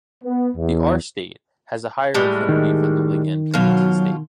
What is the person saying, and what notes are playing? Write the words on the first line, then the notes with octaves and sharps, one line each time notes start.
The R state has a higher affinity for the ligand than the T state.
B3
E2
A2 G3 G#3
D#3
B2 F#3 F4